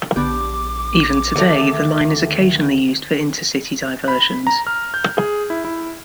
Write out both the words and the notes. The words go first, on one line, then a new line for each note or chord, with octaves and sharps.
Even today, the line is occasionally used for inter-city diversions.
A#1 D3 B3 G4 D6
D2 D#3 A3
B5
A#5
F6
G6
G#4
E4
E4